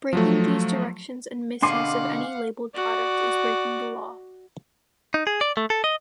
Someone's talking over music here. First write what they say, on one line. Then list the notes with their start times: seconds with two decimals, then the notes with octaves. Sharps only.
Breaking these directions and misuse of any labeled product is breaking the law.
0.13 F3 F#3 A3
1.62 B2 D3 F5 F#5 G#5 C6 D6 C7
2.75 F#4 D5
5.14 D#4
5.27 G#4
5.41 D5
5.57 A3
5.70 A4
5.84 D#5